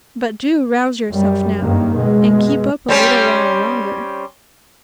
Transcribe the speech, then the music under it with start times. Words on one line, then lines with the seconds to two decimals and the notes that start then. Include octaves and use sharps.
But do rouse yourself now, and keep up a little while longer.
1.10 F#2 G3
1.59 F#1 G2 D#3 A#3
1.96 B2 G#3
2.88 G3 C4 C#4